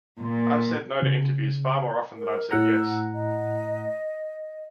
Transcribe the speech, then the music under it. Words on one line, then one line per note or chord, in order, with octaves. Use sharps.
I've said no to interviews far more often than I've said yes.
A#2
C#3
A#4
A2 F#5 A#5 E6
D#5